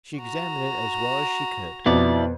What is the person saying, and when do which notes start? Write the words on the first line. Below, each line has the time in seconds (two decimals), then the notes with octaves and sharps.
She examined it as well as she could.
0.19 F#4 A#5
1.86 F2 B2 B3 E4 D5